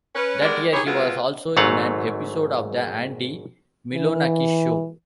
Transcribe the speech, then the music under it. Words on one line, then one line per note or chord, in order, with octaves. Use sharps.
That year, he was also in an episode of "The Andy Milonakis Show".
C#4 B4
G3 G#3 B3 A#4 D5
D#4 E4 G4 G#4 C#5
B2 G#3 C4 F4 F#4 B4
G#1 G#2 F#3 A3 F5 F#5
E3